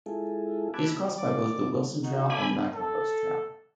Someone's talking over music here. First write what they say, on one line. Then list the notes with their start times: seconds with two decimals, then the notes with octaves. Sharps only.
It is crossed by both the Wilson Trail and the MacLehose Trail.
0.06 G#3 E4 F4 G#4 A4
0.74 A5 B5 D6 E6 F#6 G#6
1.17 D5 D6
2.03 D#4 F#4
2.30 A4 G#5 B5 D6
2.72 A4